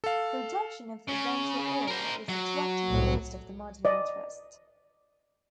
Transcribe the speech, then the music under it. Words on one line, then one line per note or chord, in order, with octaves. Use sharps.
Production of essential oil is attracting most of the modern interest.
A4 F5
C#3
A#4 C5
F#3
C2 A2
D5 D#5